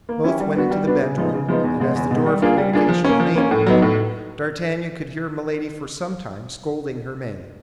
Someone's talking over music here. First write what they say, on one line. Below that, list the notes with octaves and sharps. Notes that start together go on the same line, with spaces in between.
Both went into the bedroom, and as the door of communication remained open, d'Artagnan could hear Milady for some time scolding her maid.
A#3
C#4 E4 G4
G3
B3 D4 F#4 B4
G3
B3 D4 F#4 B4
C#3
F3 G#3 B3 D#4
C#3
F3 G#3 B3 D#4
E2
B2 G#3
E2
B2 G#3
G3
A#3 D4 F4 G#4
G3
A#3 D4 F4 G#4
F3
A#3 C#4
F3
A#3 C#4
A2
F#3 B3 D#4
A2